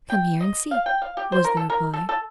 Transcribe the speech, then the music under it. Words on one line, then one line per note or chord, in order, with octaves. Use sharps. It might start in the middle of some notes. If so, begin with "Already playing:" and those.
"Come here and see," was the reply.
G5
D#5
F5
G5
F5
G4
C5
A#4
A4
A#4
A4
A4